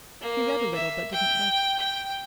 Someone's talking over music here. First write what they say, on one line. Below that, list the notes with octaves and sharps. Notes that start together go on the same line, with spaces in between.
He read a little but didn't like it.
A#3
E5
G5
G5